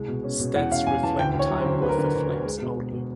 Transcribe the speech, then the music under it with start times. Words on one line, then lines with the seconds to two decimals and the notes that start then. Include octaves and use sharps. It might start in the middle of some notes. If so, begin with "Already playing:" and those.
Stats reflect time with the Flames only.
Already playing: C2 G#3
0.08 B2
0.24 C#4
0.39 B2
0.55 E2 F#5
0.71 C#4 F5
0.87 E2 G#5
1.03 E2 A5
1.19 D2 G5
1.34 D2
1.39 C#5
1.50 F#3
1.61 C5
1.66 D2
1.82 D3 B4
1.89 A#4
1.98 D3 B4
2.14 D2
2.30 D2
2.46 G#3
2.62 B2
2.77 G#3
2.92 B2